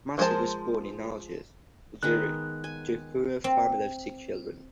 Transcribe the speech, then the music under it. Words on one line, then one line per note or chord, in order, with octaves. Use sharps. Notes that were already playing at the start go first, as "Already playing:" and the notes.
Massi was born in Algiers, Algeria to a poor family of six children.
F3 G#3 A#4 C5 A5
D#3 G#3 B3 F#6
G#5
C4